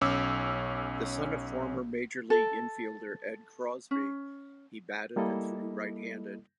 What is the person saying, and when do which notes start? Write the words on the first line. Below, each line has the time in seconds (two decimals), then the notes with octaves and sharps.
The son of former major league infielder Ed Crosby, he batted and threw right-handed.
0.01 B1 C#4 D6 E6
2.30 A4
3.91 C#4
5.16 G3 A#3 E4 A4 D#5